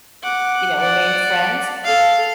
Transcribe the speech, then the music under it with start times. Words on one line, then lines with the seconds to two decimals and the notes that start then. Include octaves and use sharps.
you know, remained friends.
0.24 F#5 D6
0.79 D5 F#5
1.84 A4 F5